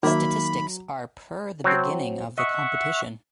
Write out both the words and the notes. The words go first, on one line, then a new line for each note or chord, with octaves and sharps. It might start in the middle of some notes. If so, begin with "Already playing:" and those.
Statistics are per the beginning of the competition.
D#3 F#3 A#3 E5 B5
F#3 C4
D#5 E5 F#5 C#6